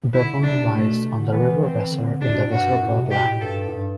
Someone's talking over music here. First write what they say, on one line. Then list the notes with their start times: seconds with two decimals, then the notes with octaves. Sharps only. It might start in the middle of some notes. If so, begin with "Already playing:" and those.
Bevern lies on the River Weser in the Weserbergland.
0.13 D3 E4
0.43 C3 D4
0.73 B2 A3
1.03 C3
1.18 D3
1.32 E3 B3
1.62 E3 C4
1.92 D3
2.21 C3 D4
2.32 B2
2.42 A2
2.52 G2 F#4
2.67 F#2
2.82 A2
2.92 B2
3.01 C3
3.11 B2 G4
3.26 A2
3.41 G2 A4
3.67 A2
3.71 G2